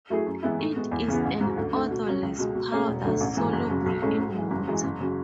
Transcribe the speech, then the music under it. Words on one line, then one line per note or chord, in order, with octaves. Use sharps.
It is an odorless powder soluble in water.
F#3 A3 E4 G#4
F#2
E3 G#3 B3 E4
A2
G#3 B3
E2
C#3 E3 B3
A1
G#2 F#3
D2
D3 A3
B2
F#3 C#4
C#2
B2 G#3
B2
A3 C#4 G#4
E1
D2 D3 A3
A1
G#2 E3
F#1
F#2 C#3
B1
A2 G#3 C#4
G#2
E3 G#3
F#1
F#2 E3 G#3
F#1
C#3 F#3